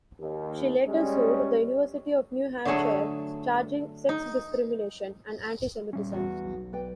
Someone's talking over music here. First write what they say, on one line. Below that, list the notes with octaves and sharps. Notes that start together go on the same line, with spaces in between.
She later sued the University of New Hampshire charging sex discrimination and anti-Semitism.
D#2
G3 G#3 C#4
D3 F#3 A3 G#4 A4
D#4
G3 C#4
E2 F#4 F#5
B1
B4 D5 G5